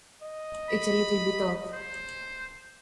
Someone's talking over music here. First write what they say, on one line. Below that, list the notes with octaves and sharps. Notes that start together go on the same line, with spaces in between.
It's a little bit off.
D#5
B5
C5